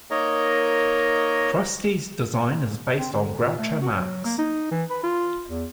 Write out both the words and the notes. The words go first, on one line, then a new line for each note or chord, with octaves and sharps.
Krusty's design is based on Groucho Marx.
A#3 D#4 A#4 C#5 D#5 A#5
C4
D3
A#2
A3
F#4
F#3
A#3
D#4
E3
B4
F4
E2